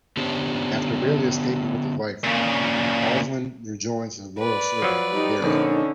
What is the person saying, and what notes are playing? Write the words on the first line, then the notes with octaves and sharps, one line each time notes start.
After barely escaping with his life, Arslan rejoins his loyal servant, Daryun.
D3 B3 C#4 D4 G4 C5
A#2 C#3
B4 D5
F3 F#3
G3 D#4
A#1 D3 C#4 D#4